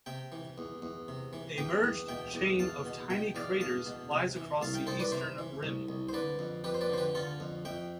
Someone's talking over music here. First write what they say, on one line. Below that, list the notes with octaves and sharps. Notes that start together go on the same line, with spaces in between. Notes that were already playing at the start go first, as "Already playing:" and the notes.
A merged chain of tiny craters lies across the eastern rim.
C3 E5 G5
E3
E2
E2
C3
E3
E2 E5 G5
E2
B2 E5 G5
E2
E2 F5 A5
B2
B2 E5 G5
E2 D5 F5
E2 F5 A5
B2
C3
E3
C2 F5 A5
E5 G5
C2 A4 C5
B4 D5
C3 C5 E5
E3
C2
C2
C5
D3 B4 D5
F2
F2 G4 B4
C5
B4 D5
D3 C5
G4 B4
D3 F4 A4
F2
F2 E5 G5